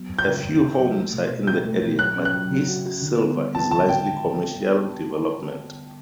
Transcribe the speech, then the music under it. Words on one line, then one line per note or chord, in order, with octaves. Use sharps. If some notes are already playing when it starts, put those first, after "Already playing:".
A few homes are in the area, but East Sylva is largely commercial development.
Already playing: F#3 B3
F#2
G6
C#3
F#2
C#3
F#3
A3
B2
B2
E4 G6
A3
B2
F#3 F#6
C#4
F#6
F#3
C#3
F#4
F#4
D3
B3
G3
B3 A5
D3 A5
D3 G5